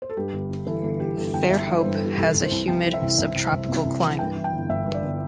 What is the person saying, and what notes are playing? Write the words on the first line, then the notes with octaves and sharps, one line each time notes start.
Fairhope has a humid subtropical climate.
C5
A4
G2 G4
G1
G1
E3 A4
G1 A4
E3 G4
G1 A4
G1 G5
G1 E5
E3
C5
G2
A4
E3 G4
G4
C2 A4
C2
C5
C2
C3 G5
E3
E5
C2
C2 E5
C2
C2
C3
C2
E3
G2 G5
E3
G5
G1
G1 E5
G2
D5
G1